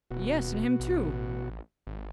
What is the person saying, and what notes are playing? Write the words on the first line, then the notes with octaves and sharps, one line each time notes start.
'Yes, and him too.
D#1 B2 F#4
A1
G#1